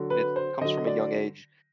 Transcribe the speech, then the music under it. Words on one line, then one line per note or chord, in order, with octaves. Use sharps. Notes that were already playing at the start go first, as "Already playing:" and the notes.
and it comes from a young age-
Already playing: D3 F#3
B4
C5
D3 F#3 D#5
D5